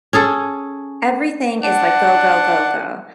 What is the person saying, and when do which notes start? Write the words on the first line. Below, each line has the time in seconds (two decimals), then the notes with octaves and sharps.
Everything is, like, go, go, go, go.
0.13 C#4 G#4 A4
1.63 D4 F#5